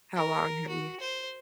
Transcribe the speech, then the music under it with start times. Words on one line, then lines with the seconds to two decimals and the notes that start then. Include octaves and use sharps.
how long have you
0.16 A#4
0.69 F#4
1.00 C5